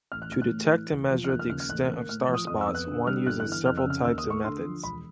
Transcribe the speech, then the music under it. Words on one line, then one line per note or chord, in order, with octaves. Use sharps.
To detect and measure the extent of starspots one uses several types of methods.
A1 F6
F#6
A1 F6
F#6
A2
E3
E1
F3
F6
D#2 F#6
F6
C#3 F6
F6
A1 F#6
A#3
A2 F6
F3
D#6
F2 D#6
E6
B3
F#6
D3
G3 F6
G1 F#6
F#6
E3
F6
F2 F6
E6
C#3 F6
D#2 E6
D#6
A3
C#6
D3 C6
F3
E1 B5